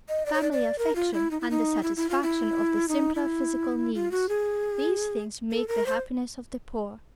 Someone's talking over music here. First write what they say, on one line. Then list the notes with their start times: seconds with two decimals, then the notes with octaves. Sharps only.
Family affection--and the satisfaction of the simpler physical needs--these things make the happiness of the poor.
0.09 D#5
0.26 D5
0.34 C#5
0.42 D5
0.52 D5
0.78 A#4
0.96 F4
1.13 E4
1.31 D#4
1.41 E4
1.50 D#4
1.83 E4
1.97 E4
2.10 F4
2.23 E4
2.88 D#4
3.15 E4
3.94 F4
4.11 F#4
4.29 G#4
5.51 A4
5.68 A#4
5.86 C5